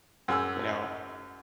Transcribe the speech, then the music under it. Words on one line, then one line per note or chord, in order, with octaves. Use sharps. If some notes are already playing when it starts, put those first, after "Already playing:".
you know?
F#2 G#4 E6